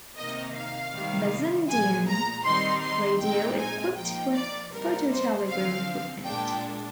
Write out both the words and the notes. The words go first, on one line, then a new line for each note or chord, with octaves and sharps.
Bassendean Radio equipped with phototelegram equipment.
C3 D#3 A#3 D#4 D#5
F5
C3 D#3 G3
A#2 F3 G#3 G#5
A#5
D#3 G3 C4 D#4 C6
C6
A#2 G#3 C4 D#4 G5
G#5
F3 A#3 D#4 G5
D5
C3 G3 A#3 D#4 A#4
C5
D3 F3 C4 F5
A#2 G#3 D4 G5